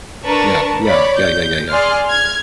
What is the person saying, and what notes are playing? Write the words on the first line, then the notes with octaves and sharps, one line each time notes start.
yeah, yeah, yeah, yeah, yeah, yeah.
D4 A#4 B4 A5 C#6
C#5 D5 B5
G6
G#4 D5 C6 F6
F6 G#6